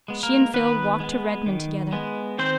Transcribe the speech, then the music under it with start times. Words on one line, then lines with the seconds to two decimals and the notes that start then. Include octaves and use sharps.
She and Phil walked to Redmond together.
0.08 G#3 B3
0.23 A#3 A#4
0.54 D#3 B3 B4
1.00 G#3 B3
1.46 D#3
1.93 G#3 B3
2.39 D#3 C4 C5